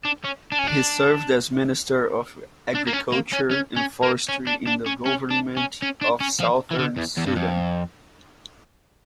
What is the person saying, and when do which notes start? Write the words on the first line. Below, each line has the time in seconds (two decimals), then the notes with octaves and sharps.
He served as Minister of Agriculture and forestry in the Government of Southern Sudan.
0.05 D4
0.24 C#4
0.52 D4
0.59 C#4
0.67 D4
2.75 D4
2.87 A#3
2.93 C#4
3.12 A#3
3.32 C#4
3.51 C#4
3.76 C#4
4.03 A#3
4.29 C#4
4.47 D4
4.67 D4
4.86 C#4
5.06 C#4
5.30 D4
5.57 C#4
5.82 C#4
6.01 D4
6.20 C#4
6.40 F3
6.71 E3
6.79 D3
6.97 E2
7.17 E2
7.27 G2
7.36 F2